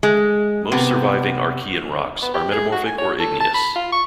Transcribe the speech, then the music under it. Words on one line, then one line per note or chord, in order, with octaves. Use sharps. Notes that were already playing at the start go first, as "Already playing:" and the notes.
Most surviving Archean rocks are metamorphic or igneous.
G#3
C3 B3
B3
G4
G#4
F#4
G#5
C#5
A4
A5
B5
F4
C#6